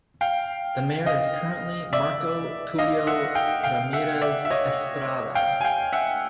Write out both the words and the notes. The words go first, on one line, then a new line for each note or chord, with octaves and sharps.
The mayor is currently Marco Tulio Ramirez Estrada.
F5 G5
D#5 F5
D5 E5
D#5 F5
E5 F#5
F5 G5
F5 G5
E5 F#5
D5 E5
E5
C#5 D#5
F5 G5
G#5
F5 G5
E5 F#5